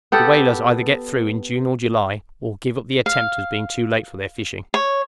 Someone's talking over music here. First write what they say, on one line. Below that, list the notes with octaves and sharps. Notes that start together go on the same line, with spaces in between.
The whalers either get through in June or July, or give up the attempt as being too late for their fishing.
B3 G4 A4 F#5
F5
C#5